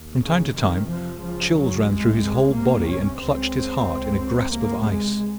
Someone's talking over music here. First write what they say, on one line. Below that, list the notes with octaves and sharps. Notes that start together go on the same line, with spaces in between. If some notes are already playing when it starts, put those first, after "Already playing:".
From time to time chills ran through his whole body, and clutched his heart in a grasp of ice.
Already playing: D#2
C#3
F2 C3 D#3
F3
C#2 C#3 F3
F#3
C2 C3 G#3
G#3
C2 C3 A#3
C#4
C#2 C#3 C4
C#2 C3
C#2 C3 A#3
G#3